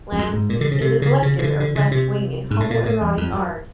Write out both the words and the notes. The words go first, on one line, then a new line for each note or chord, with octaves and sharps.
Landes is a collector of left-wing and homoerotic art.
F2
F#2
G#2
A#2
D3
C#3
C3
C#3
C#3
C#3
D3
D3
C#3
C3
G#2
A2
A#2
A2
E2
F2
F#2